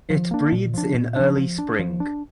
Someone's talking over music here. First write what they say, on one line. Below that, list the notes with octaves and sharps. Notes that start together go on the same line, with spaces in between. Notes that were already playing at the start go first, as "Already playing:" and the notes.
It breeds in early spring.
F3
A#3 D4
A#2
F3 D4
A#2
F3 D4
F3
D4
F3
D4